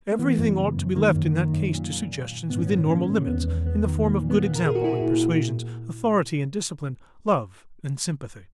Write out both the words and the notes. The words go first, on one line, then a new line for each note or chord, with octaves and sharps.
Everything ought to be left in that case to suggestions within normal limits, in the form of good example and persuasions, authority and discipline, love and sympathy.
A#3
E3 B3
F#2
C#3
F#2
D#3 A#3
F#2
D#3
F#2
A#2
A#2
A#2
A#2
G#2 B3
C#4
B3
D#3
D#3 A#3 C#4
G#2
E2 B3
E2
E2 B3
D#3
A#2 A#3
A#2
B3
A#2
A#4
A#2 G#4
F#4
A#2 E4 G#4
A#2
A#2